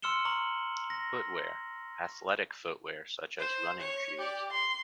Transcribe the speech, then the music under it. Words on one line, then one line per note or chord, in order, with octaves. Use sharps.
Footwear: Athletic footwear such as running shoes.
C6 E6 F6 C#7 E7 G7
A#5 C#6 F#7
A#6
C5
C#5
G4 D5
C6